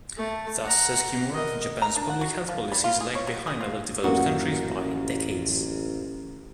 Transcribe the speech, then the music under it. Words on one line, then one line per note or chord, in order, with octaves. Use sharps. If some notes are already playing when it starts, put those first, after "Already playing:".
Thus, says Kimura, Japan's public health policies lag behind other developed countries, by "decades".
A3 A5
F#5 A#5
A#4 D#5
A#5
D4
F#5
F#4
F3
G3
F4
G#4
C#5
F#3
G#4
F4
A1 F#2 A#3 F#4